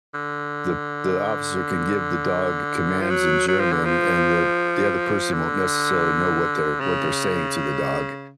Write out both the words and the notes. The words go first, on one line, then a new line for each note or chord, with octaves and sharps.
the p the officer can give the dog commands in German, and the p the other person won't necessarily know what they're what they're saying to the dog,
D3
F3
F#3
F#3
F3
D3
F3
D3
C#3